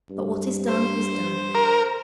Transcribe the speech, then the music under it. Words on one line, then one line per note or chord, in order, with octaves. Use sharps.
But what is done is done!
G2
C5
A#4